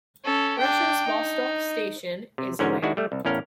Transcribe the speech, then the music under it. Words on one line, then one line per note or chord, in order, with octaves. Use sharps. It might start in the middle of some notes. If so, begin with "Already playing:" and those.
Russia's Vostok Station is away.
C#4 A4
D4 G5
D#4
C3
G#2 D3 C#4 F#4 A#4 G#5
D#3 G#3 D4 E4 F#4
G3 A3
C2
E2 A2 C#4 A#4 F5